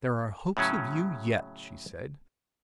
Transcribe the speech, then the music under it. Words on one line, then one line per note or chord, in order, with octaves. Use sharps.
"There are hopes of you yet," she said.
A2 C#3 F#3 C#4